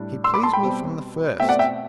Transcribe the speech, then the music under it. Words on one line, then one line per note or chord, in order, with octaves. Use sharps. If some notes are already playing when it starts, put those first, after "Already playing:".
He pleased me from the first.
Already playing: A2 G3 D4
C6 E6
B5 D6
A5 C6
G5 B5
B2 G3 C4
B2 A3 C4 E5 G5
D5 F#5
E5 G5